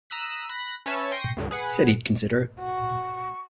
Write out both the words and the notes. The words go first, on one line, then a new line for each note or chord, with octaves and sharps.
Said he'd consider it.
A#5 D#6 E6 F#6 B6
B5 F#6 A#6
C#4 B4 C#5 E5 A5
G5 C6 C#6 A#6 C7 D#7
C#2 G2 D3
G#4 B4 F#5
F#4 C#6